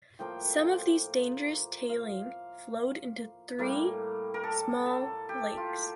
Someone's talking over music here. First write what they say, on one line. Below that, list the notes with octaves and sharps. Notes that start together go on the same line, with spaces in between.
Some of these dangerous tailing flowed into three small lakes.
A2 F3 A#3 G5
F5
A2 G3 A#3
A#4
A4
A4
G4
F4